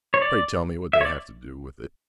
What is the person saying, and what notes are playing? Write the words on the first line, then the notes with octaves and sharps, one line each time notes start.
Pray tell me what they have to do with it?
C#5
D5
E5
C#5
D5